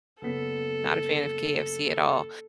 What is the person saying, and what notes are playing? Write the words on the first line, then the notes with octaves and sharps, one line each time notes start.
not a fan of KFC at all,
F#1 B3 A4 B6